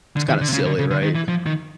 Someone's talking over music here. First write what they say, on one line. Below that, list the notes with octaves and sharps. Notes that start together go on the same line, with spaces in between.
It's kinda silly, right?
D3
D#3
D3
C3
C#3
D3
C#3
D3
D#3
E3
F3
D#3